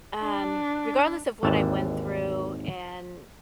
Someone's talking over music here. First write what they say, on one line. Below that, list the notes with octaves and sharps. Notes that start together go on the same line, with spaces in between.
um, regardless of what I went through and,
D4
G#1 D#2 E3 A5